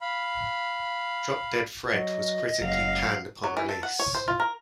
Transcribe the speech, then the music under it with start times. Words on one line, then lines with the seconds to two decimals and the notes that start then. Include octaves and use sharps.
"Drop Dead Fred" was critically panned upon release.
0.01 F5 B5
1.94 F#3 D#5
2.60 F#1 F#3 F5
3.44 F#3
3.57 E3
3.69 A4
3.83 F#5
3.99 C#5
4.15 C5
4.28 F4
4.40 A#4